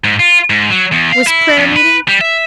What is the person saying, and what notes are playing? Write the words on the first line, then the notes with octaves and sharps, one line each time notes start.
"Was prayer-meeting?"
G#2
F4
G#2
F#3
E2
F5
E4
F2
B4
G3
E5